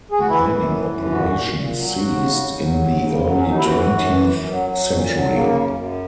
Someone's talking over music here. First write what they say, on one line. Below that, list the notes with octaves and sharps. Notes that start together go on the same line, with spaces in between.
Mining operations ceased in the early twentieth century.
G#4
F#4
E3 E4
F#2
E3
F#2
A#2 F#4
A#2
A#2
F#3
D#2 F#4
C#3
D#2
F#3
D#2
C#3
F#3
C#4
D#2 D#4
E4
E3 F#4
F#2
E3
F#2
F#3
F#3
A#2
F#3
C#3 A#3
F#2
F#2